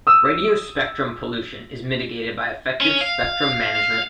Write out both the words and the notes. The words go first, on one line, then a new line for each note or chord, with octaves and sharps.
Radio spectrum pollution is mitigated by effective spectrum management.
D#6 E6
C#4
F5